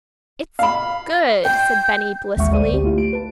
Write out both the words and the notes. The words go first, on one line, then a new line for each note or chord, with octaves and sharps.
"It's good," said Benny blissfully.
F5 B5
G5 G6
A1 D#2 G#3 E5 F#5 C#6
D2 G#3 C5 D5 D#7
D2 G4
A3 E4 F4
D7
B4 A5